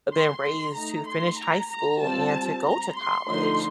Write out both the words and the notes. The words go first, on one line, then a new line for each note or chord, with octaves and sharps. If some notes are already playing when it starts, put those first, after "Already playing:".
been raised to finish high school and to go to college,
C6
C6
A3 D#4 A#5
C6
A#5
A#5
G3 C4 F4 A5
A#5
C6
D3 F3 A3 D#4 C6